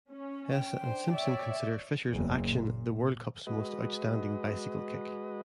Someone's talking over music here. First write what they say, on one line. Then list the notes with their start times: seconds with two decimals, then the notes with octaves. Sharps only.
Hesse and Simpson consider Fischer's action the World Cup's most outstanding bicycle kick.
0.11 C#4
0.52 G5
0.83 D4 C5
1.13 C#5 D5 E5
2.10 F#1 E2
2.46 A#2
3.47 G#3 F#4 B4 D#5